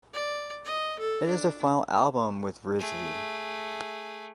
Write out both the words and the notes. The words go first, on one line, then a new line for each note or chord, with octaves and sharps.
It is their final album with Rizvi.
D5
D#5
A4
D4
A3 G#4